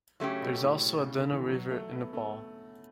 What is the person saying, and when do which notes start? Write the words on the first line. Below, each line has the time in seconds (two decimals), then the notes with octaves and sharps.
There is also a Danu river in Nepal.
0.20 C#3 F#3 A3 C#4 G4
0.42 B2
0.64 A2
1.01 C#3
1.17 D3
1.32 E3
1.49 F#3
1.70 A3
1.92 B3
2.13 A3